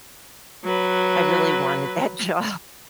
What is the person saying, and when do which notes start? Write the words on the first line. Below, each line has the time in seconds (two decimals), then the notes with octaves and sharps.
"I really wanted that job,"
0.64 F#3 B4